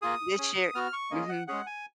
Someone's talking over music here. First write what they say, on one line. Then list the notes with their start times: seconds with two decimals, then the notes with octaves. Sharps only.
this year mhm.
0.02 A#3 F4 G#4 D#6
0.38 C#4 G#4
0.75 B3 F#4 F6
0.93 C#6
1.11 A#3 C#4 F4 G#4 D#5
1.29 F#5
1.47 G#3 C#4 G#4 F#5
1.67 G#5